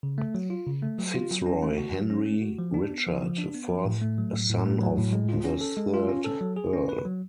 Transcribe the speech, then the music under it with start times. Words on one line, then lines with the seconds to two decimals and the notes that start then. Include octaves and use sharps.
FitzRoy Henry Richard, fourth son of the third Earl.
0.03 C#3
0.18 A3
0.35 F#3
0.50 F4
0.67 C#3
0.82 A3
0.98 F#3
1.14 F4
1.31 F#3
1.46 C#4
1.62 A3
1.78 F#4
1.93 F#3
2.10 C#4
2.25 A3
2.42 F#4
2.59 F3
2.74 D4
2.90 B3
3.06 F3
3.22 F3
3.38 D4
3.54 B3
3.70 F3
3.85 A2
4.01 A3
4.18 F#3
4.34 A2
4.49 A2
4.66 A3
4.81 F#3
4.98 A2
5.13 G#3
5.29 F4
5.45 C#4
5.61 A4
5.77 G#3
5.94 F4
6.09 C#4
6.24 A4
6.41 F#3
6.56 G#4
6.73 C#4
6.89 B4
7.05 F#3